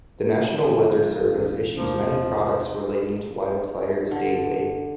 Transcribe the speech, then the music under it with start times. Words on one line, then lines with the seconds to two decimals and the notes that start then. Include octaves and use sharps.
The National Weather Service issues many products relating to wildfires daily.
0.71 D3 F#3 F4
1.16 A1
1.32 E1 A1 C#4
1.76 E2 C3 F3 A#3 D4
2.01 D#5
4.11 D3